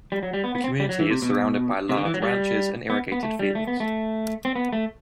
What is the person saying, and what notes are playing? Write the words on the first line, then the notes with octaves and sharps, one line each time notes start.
The community is surrounded by large ranches and irrigated fields.
G3
F#3
G3
B3
B3
C4
G3
F#3
E3
C3
B2
C3
D3
E3
F#3
G3
B3
B3
A3
G3
A3
B3
A3
C4
B3
A3